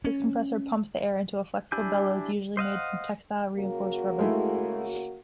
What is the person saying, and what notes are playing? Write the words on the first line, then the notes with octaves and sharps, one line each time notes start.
This compressor pumps the air into a flexible bellows, usually made from textile-reinforced rubber.
C#4
D4 E4 G4 G#5 G6
C5 D#5 F5 F#5
C#3 A#3 F#4
G#3 A3 E4